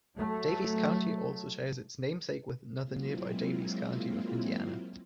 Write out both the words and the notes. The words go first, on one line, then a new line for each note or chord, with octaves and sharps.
Daviess County also shares its namesake with another nearby Daviess County of Indiana.
F#3 A3
F#3 G#3 A#3 C4 E4 F4